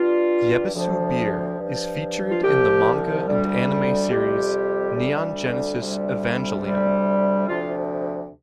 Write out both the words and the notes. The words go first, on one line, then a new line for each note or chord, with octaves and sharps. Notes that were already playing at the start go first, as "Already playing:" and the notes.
Yebisu Beer is featured in the manga and anime series "Neon Genesis Evangelion".
Already playing: G2 G3 F4
D2 C3 F3
G2 F3
F4
C2 C3 F3 G4
D2 D3 G3
F2 C3 G3 G4
D2 D3 G3
D2 C3 G3
D2 C3 G3
D2 C3 F3 F4